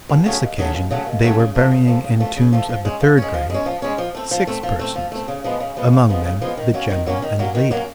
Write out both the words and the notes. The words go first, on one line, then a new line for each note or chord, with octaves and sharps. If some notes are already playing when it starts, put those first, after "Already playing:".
On this occasion they were burying in tombs of the third grade six persons, among them the general and the lady.
D#2
C#3 F#3 A3 C#4
D#2
C#3 F#3 A3 C#4
D#2
C#3 F#3 A3 C#4
D#2
C#3 F#3 A3 C#4
C#3
F3 A3
C#3
F3 A3
C#3
F3 A3
C#3
F3 A3
F3
G#3 C#4
F3
G#3 C#4
F3
G#3 C#4
F3
G#3 C#4
F3
A3 C4
F3
A3 C4
F3
A3 C4
F3
A3 C4
C#3
F3 G#3 B3
C#3
F3 G#3 B3
C#3
F3 G#3 B3
C#3
F3 G#3 B3
D#3
F#3 A#3 C#4
D#3
F#3 A#3 C#4
D#3
F#3 A#3 C#4
D#3
F#3 A#3 C#4